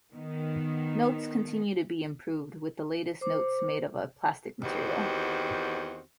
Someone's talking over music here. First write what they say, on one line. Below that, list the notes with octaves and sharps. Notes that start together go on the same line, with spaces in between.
Notes continue to be improved, with the latest notes made of a plastic material.
D#3 B3
C5 D6
E2 D#3 C4 F#4 G4